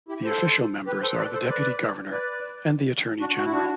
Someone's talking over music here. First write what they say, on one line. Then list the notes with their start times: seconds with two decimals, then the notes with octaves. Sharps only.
The official members are the deputy governor and the attorney general.
0.09 E4 G4
0.24 A4 C5
0.86 G4 B4
1.02 A4 C5
1.17 B4 D5
1.33 A4 C5
1.49 B4 D5
2.11 B4 D5
3.20 D4 F#4
3.36 F#4
3.44 E4
3.51 D4 F#4